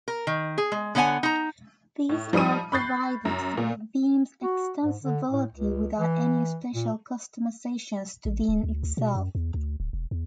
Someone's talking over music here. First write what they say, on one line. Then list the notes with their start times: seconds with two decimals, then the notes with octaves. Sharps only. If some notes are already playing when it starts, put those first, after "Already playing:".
These are provided through Vim's extensibility, without any special customizations to Vim itself.
0.08 A#4
0.27 D#3
0.58 G#4
0.72 G#3
0.95 D3 B3 C#5 F#5 G#5
1.23 D#4 A#5
2.09 A2
2.33 F3 G3 D#4 D#6 D#7
2.72 B5 C#6 F#6 G6 A6 C7
3.25 F#2
3.57 A#2
4.43 F#4
4.84 G#2
5.03 D3
5.31 A2
5.52 C#2
5.98 E3
6.75 A#2
8.25 A1
8.49 D1
8.63 D2
8.83 D2
8.97 B2
9.15 F#2
9.35 E2
9.54 D2
9.80 D1
9.93 E1
10.11 E2